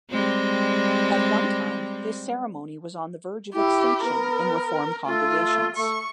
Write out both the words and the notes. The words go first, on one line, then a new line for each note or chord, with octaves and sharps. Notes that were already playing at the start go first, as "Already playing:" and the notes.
At one time, this ceremony was on the verge of extinction in Reform congregations.
G3 G#3 C4
E4 G4
B3 A#4
A3 F4
A3 C#6